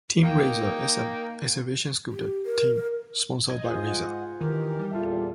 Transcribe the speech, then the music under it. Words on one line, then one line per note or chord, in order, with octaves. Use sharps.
Team Razor is an exhibition scooter team sponsored by Razor.
A#3 D#4 G5
G4
A#4
A#4
D#5 G#6
F4 G#4 C5
G#2 F#5
D#3 E3 G4 A#4
G3
E2 A#2 F4 A4 E5